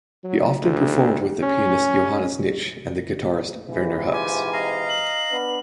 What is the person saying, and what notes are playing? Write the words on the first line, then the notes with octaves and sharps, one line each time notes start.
He often performed with the pianist Johannes Nitsch and the guitarist Werner Hucks.
F#3
D2
C#4
G#2 C3 E3
F4 G4 G#5
D#5 F5 A#5
F#7
B3 D4 B4